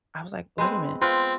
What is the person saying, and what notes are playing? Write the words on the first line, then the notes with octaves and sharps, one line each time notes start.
I was like, "Wait a minute."
G#3 B3 C4
C4 F4 B4